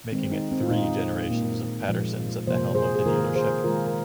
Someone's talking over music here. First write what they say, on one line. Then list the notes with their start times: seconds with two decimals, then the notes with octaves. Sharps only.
Making it three generations of Pattersons at the helm of the dealership.
0.12 D#3 G#3 C4
0.32 D#4
0.52 C4
0.63 F4
0.71 A#2 G#3 D#4
1.30 A#2 A#3
1.88 A#2 F3 G#3
2.47 C3 F3 A#3 C5
2.75 G#4 C5
2.95 G#4
3.06 D#3 A#3 F4 A#4
3.35 G#4 C5
3.64 D#3 G#3 F4 A#4
3.87 A#4